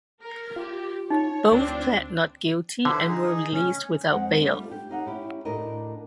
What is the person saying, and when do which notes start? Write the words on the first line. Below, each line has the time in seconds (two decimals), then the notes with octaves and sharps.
Both pled not guilty and were released without bail.
0.22 A#4
0.56 F4 G4
1.10 D#4 C#5
1.52 D2 C4 D4 F4
2.85 D3 E4 B4 C5
3.07 D#4 G#4
3.51 C#4
4.11 F2 G#3 C4 F#5
4.44 G3 A3 D4 F4
4.71 G4
4.90 D#2 D#4 F5 F#5
5.06 C#4 E4 G4
5.45 D2 A2 D4 A4 A#4 D#5